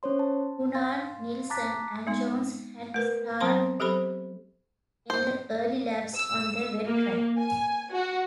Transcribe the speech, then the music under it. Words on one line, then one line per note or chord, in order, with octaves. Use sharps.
Gunnar Nilsson and Jones had starred in the early laps on the wet track.
C#4 C5 C#5 C6
A5
F5 C6 A6
A5 A#5 D6 F#6 A6 B6
G#3 B3 D#4
A3 A#4 B4
F#3 B3 C4 C5 A#5 C6
F#3 G4 A4 C5 B5
C5
E6
A#3
G#5
F#4